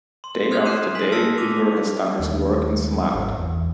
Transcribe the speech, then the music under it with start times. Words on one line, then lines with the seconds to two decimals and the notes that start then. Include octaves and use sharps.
Day after day Weaver has done his work and smiled.
0.24 C6
0.51 C6 D#6 F6 F#6 G#6 F7
0.65 F#6 G6 C7 C#7 D#7 E7
0.95 G#5 B6 F#7
1.12 A5 E6 F6 A#6 B6 C#7
1.38 A5 D6 F7
2.19 D#2
3.14 G#1
3.37 E2